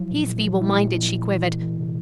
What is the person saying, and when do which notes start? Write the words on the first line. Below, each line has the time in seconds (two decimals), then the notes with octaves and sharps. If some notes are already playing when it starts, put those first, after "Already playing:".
"He's feeble-minded," she quivered.
Already playing: F3 F#3 E4
0.11 A#2
0.27 A#2
0.44 F3
0.61 A#2 E4
0.78 A#2
0.95 F3
1.11 A#2
1.28 E3
1.45 E3
1.62 E3
1.78 C3